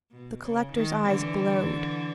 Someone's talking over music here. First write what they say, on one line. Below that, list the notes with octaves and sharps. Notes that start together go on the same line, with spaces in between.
The collector's eyes glowed.
B2
C#3
D#3
D3 E3